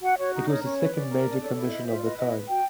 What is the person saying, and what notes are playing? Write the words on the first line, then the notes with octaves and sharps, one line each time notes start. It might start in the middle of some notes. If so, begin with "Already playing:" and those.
It was the second major commission of the kind.
F#4 F#5
F#4 C#5
D#4
A#4 C#5
C#4 C#5
B4
C#4 D5
A#4
D4
A4 C#5
E4 D5
D5
C5 D#5
F4 E5
D5
B4 D#5
E4 D#5
B4
F#4 G5